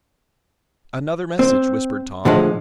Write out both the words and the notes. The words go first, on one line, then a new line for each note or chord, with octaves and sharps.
"Another message," whispered Tom.
C4
A2 D3 F3 G#3